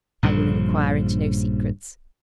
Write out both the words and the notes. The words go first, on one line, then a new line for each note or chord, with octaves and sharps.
"I will enquire into no secrets."
A#1 G2 C#3 F3